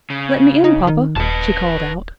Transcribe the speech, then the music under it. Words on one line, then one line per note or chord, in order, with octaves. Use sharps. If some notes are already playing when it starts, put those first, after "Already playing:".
"Let me in, papa," she called out.
C#3
D#4
D#3
D#1 B4 A5